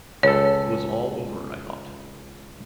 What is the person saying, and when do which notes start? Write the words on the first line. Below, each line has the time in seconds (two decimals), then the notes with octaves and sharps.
It was all over, I thought.
0.23 C#2 A4 C#5